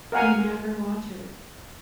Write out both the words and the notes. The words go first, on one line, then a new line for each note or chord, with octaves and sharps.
They never watch it.
A#4 F5 F#5 G#5 A#5